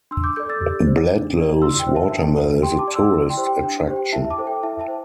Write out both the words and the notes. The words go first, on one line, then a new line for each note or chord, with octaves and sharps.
Bledlow's watermill is a tourist attraction.
D4 C6 E6
D6 G6
A4 D5 D6 G6
E6 A6
G4
C5
D4
G4 D5
E4 C6 E6
G5
C5
E5 A5
D4
C5
G4 G5 C6
A5 D6
D5
C6 E6
E4
G5 C6
G4 C5
G5
D4 G5
G4 C5
G5
E4 E5 A5
A5 D6
A4 C5
G5
E4 E5 A5
E5 A5
C5